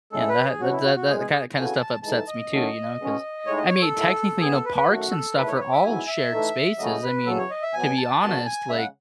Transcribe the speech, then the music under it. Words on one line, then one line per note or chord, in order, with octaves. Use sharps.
Yeah, that that that that ki kinda stuff upsets me too, you know, 'cause I mean, technically, you know, parks and stuff are all shared spaces, I mean, to be honest, like,
A2 G#3 C#4 E4 A4
B4
G#4
B2 F#3 C#4 F#4
E4
F#4
F#4
E2 B2 G#3 G#4
G#4
G#4
C#3 E3 B3 F#4 A4 G#5
A5
E3 G#3 D#4 A4 A5
D#5
D#3 F#3 A3 C#4
B2 G#3 C#4
A2 G#3 D#4 C#5
D#5
C#5
A4
D#2 D#3 F#3 A3 E4
F#2 E3 B3 G#4
A4
B4
B4
F#2 D#3 A3 F#4
A4
E2 D#3 A3 E4 B4
C#5
B4
C#5
E5
G#2 F#3 B3 E4 G#5
E5
E3 A3 D#4 A4
C#2 C#3 F#3 A3 D#5
B4
E2 C#3 F#3 A4
C#5
D#5
E5
B2 F#3 B3 G#5
A5
G#2 D#3 F#3 B3 F#4 A5
G#5
C#3 G#3 E5
F#5